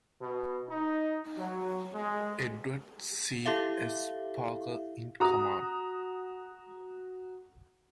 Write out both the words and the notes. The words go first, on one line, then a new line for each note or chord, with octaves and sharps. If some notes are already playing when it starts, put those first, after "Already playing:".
Edward C. S. Parker in command.
B2
D#4
F#3
G#3
E4 G4 A4 E5 F5
F#4 A#5 D#6